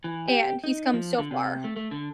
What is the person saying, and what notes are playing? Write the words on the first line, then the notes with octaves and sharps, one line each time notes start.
And, he's come so far.
E3
G4
D#4
F3
D3
C3
A3
A3
D3